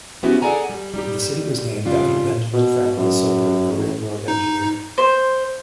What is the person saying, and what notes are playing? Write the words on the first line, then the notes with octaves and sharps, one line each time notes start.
The city was named after Benjamin Franklin Soper, a railroad engineer.
F3 B3 C#4 E4 F#4 G4
G#4 A4 D5 F#5 G#5 A#5
G3
G3 D#4 G4
F2 C#3 G3 D4 F4
B2
F#2
A1
D#4
C5